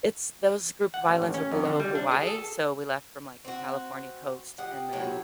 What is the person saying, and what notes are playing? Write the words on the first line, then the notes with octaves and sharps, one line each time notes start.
it's those group of islands are below Hawaii, so we left from, like, the California Coast, and then
F#5
A1
A1
C#4
F2
D3
G3
D4
G#4
A4
C4 F#4
G4 D#5 F5 F#5
C3 F#3 A3 D#4 E4 C#5